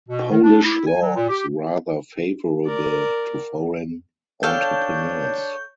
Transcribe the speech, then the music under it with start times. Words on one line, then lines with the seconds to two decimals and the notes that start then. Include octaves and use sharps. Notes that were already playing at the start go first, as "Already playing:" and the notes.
Polish law is rather favourable to foreign entrepreneurs.
0.09 B2
0.30 D#3
0.43 D4
0.64 E4
0.87 G#5
1.02 F#3
1.16 A#2
1.29 G4
2.66 A#4 D5
4.43 D4 A4 C#5 F5 G5 G6